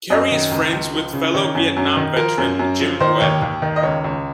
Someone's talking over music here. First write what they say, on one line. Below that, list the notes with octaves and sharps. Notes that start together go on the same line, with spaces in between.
Kerrey is friends with fellow Vietnam veteran Jim Webb.
F#2 D#5
D#3
C#2
C#2
F3
C#3
D#3 C#5
F#2
F#2
D#3
F3 A#4
F#2
F#2
F3
D#3 C5
D#2 C#5
D#2
D#3
D#5
C#2 C#5
C#2